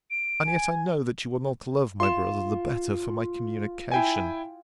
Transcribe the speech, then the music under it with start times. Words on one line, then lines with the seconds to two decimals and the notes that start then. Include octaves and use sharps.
And yet I know that you will not love my brother the better for my communication.
0.11 D7
0.47 G#5
2.00 F4 C6 E7
3.92 E4 G5 G#5